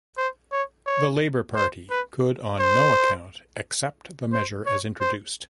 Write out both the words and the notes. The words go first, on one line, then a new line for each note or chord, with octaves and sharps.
The Labor Party could on no account accept the measure as introduced.
C5
C#5
C#5
C5
B4
C5
C5
C#5
C5